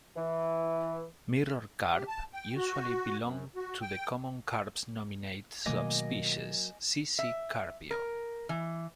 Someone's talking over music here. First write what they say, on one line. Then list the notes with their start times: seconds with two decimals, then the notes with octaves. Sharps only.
Mirror carp usually belong to the common carp's nominate subspecies, "C. c. carpio".
0.17 E3
1.93 G4
2.08 A5
2.33 G5
2.56 F#4
3.21 F#2
3.56 F#4
3.81 G5
5.66 B2 D#3 F#3 A3 A#3 D#5 G#5 D6
7.19 E5
7.91 A#4
8.49 E3